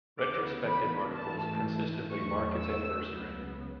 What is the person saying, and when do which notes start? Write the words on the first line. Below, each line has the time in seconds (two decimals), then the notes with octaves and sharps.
Retrospective articles consistently mark its anniversary.
0.20 D2 C#3 E3 B3 D6
0.67 B5
1.15 G#2 E3 A3 A5
2.11 E2 D3 F#3 A3 C#6
2.58 E6
3.07 C#2 C#3 F#3 B3